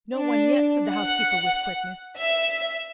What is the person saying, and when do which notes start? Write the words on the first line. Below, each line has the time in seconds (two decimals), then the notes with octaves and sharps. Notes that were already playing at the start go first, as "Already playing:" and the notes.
"No one yet," said the housekeeper, with quickness.
0.16 D4
0.90 F#5
2.17 E5